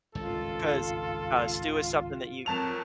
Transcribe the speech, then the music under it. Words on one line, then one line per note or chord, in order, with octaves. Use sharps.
'cause, uh, stew is something that you
G#1 C#2 G2 F4 A4
F2 F#3 A#4 A5 F7